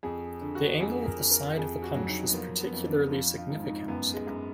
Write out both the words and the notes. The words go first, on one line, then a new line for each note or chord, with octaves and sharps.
The angle of the side of the punch was particularly significant.
F2 G#4
D3
F#4
F2 G#4
A#4
F2
A#4
F2 G#4
F#4
F#3
D#4
B3
F3 A#3
B3
F2
D4
F3
F4
G#2
D#4
F#2 B3
G#3
F#2